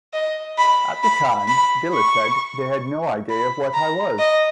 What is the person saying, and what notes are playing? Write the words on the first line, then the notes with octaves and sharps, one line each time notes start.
At the time, Diller said, They had no idea what I was.
D#5
B5
B5
B5
C#6
B5
A#5
D#5